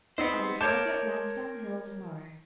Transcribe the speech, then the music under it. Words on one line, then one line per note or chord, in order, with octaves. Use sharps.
"I will drive you up Lansdown Hill tomorrow."
B3 C4 D#4 C5
A#4 C#5 A5 D6 G6 C#7